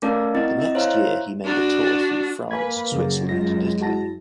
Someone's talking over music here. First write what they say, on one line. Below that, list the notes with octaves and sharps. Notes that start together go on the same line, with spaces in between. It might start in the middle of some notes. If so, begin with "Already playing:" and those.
The next year he made a tour through France, Switzerland and Italy.
A3 C#4 A#4 D5 F5 A5
C4 E4 D#5 A6
D#5 E5
E4 C5 C#5 E5 F5 A#5
D4 F#4
A#3 B4 G#5 G#6
F#2 C#3 G#4
G#3 F4 A#6
E4 F#4 A5 A#6